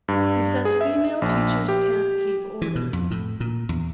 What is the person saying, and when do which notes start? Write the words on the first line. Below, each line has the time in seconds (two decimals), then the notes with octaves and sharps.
He says female teachers can't keep order.
0.08 G2
0.65 G#4
0.81 E5
1.22 A#1
1.68 G4
2.62 E3
2.76 B2
2.93 F2
3.11 A2
3.40 A#2
3.69 E2